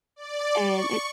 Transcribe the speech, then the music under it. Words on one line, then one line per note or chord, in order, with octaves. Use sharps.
and it
D5
C#6